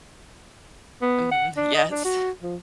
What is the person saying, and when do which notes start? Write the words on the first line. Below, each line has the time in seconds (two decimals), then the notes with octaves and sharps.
Mhm. Yes.
1.02 B3
1.31 F#5
1.57 D4
1.74 D#5
1.92 D4
2.05 F#4
2.42 F3